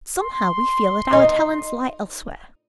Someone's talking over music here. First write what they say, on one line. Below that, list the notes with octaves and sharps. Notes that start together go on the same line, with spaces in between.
But somehow we feel that our talents lie elsewhere.
C6
D#4